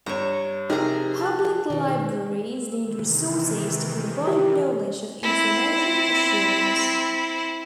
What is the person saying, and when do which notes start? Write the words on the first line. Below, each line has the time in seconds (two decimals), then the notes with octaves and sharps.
Public libraries need resources to provide knowledge of information assurance.
0.06 G2 C#5 A#5 E7
0.70 C3 F3 D#4 G4 G#4 A#4 G#5 A#5
1.21 A5 F#6
1.70 B2 D#3
2.47 E6
2.78 C3 D#3 E3
4.27 G4
5.23 C4 E4